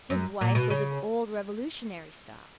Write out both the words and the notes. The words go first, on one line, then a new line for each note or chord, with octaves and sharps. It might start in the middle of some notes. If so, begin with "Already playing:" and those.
His wife was of old Revolutionary stock.
F#2
A#2
B2
C#3